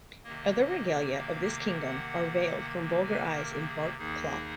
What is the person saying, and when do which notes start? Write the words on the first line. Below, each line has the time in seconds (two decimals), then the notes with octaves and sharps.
Other regalia of this kingdom are veiled from vulgar eyes in bark-cloth.
0.24 C3 D#3 A#3 D#5
1.17 F5
1.49 F5
1.80 F#5
3.04 G#5
3.35 A#4
3.67 G#4
3.97 D#2 D#3 A#3 D#4 G#4